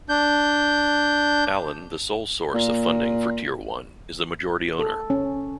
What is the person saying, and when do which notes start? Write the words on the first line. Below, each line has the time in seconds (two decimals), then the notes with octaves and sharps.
Allen, the sole source of funding for Tier One, is the majority owner.
0.09 D4 G6
2.54 A#2
4.79 A4
5.10 C#4